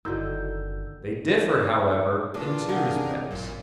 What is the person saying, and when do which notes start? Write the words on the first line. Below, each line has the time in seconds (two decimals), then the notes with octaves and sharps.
They differ, however, in two respects.
0.05 F#1 D3 D#3 E4 F#4 E6 G6
2.34 A#2 E3 G#3 A#3 D4 F4
2.69 D#2 C3 E3 G#4 A#4 F5 F#5
3.30 A1 F#2 A#2